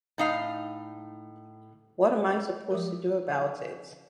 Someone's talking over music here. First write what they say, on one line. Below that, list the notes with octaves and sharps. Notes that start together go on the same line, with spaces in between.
What am I supposed to do about it?
A2 D#4 F5
F3 G#3 G4 A#4